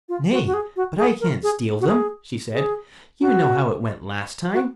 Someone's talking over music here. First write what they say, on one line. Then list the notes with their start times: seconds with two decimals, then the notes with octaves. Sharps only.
'Nay, but I can't steal them', she said; 'you know how it went last time.'
0.09 F4
0.32 F#4
0.47 F#4
0.54 G#4
0.76 F#4
0.98 G#4
1.20 A#4
1.43 G#4
1.81 F#4
1.87 G#4
2.53 G#4
3.21 F#4
4.54 F#4